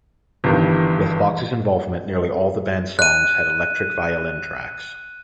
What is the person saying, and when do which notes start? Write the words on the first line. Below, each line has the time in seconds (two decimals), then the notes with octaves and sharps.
With Fox's involvement, nearly all of the band's songs had electric violin tracks.
0.44 G1 G2 D#3 E3
2.99 F#6 D#7